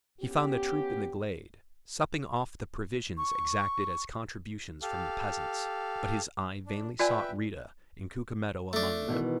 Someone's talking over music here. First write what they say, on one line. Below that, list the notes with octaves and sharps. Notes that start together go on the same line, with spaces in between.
He found the troop in the glade, supping off the provisions exacted as contributions from the peasants; but his eye vainly sought Rita and Cucumetto among them.
B3 C#4 G4
C#6
G4 A4 F5
D4
F4 B4 D5 E5 G5 G#5
A3 D4
B2 D#3 E3